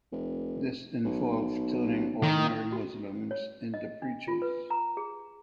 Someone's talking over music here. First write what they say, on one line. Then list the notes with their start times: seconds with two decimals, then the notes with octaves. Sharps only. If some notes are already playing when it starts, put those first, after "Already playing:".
This involved turning ordinary Muslims into preachers.
0.12 F1
1.05 B1
2.23 D#3
2.72 F#4
3.31 C#5
3.74 D#5
4.02 D4
4.28 F4
4.42 B4
4.70 A#5
4.97 G#4